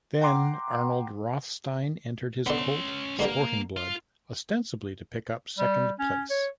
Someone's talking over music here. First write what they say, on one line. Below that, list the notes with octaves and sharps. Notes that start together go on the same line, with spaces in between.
Then Arnold Rothstein entered his colt, Sporting Blood, ostensibly to pick up second place.
F#5 G5 A#5 C6 D6
D3 B3 C#4 C6
G2 D3 G3 A#3
F4
G3
C#4
C#5